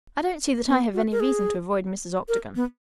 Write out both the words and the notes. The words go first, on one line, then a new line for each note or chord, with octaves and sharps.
"I don't see that I have any reason to avoid Mrs. Octagon."
B3
F#4
A#4
G#4
A#4
B3